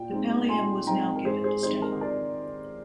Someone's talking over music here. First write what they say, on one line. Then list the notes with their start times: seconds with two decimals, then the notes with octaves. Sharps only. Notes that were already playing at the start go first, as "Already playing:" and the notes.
The pallium was now given to Stefan.
Already playing: A#2 G5
0.11 G#3 C4 D#4
0.49 A#2 G#5 C6
0.87 G#3 C4 D#4 G5 A#5
1.16 A#4
1.25 G#2 G#4 C5
1.44 G#4 C5
1.63 D#3 G#3 C4 D#4 G#4 C5
1.82 A#4
2.01 A#4 D5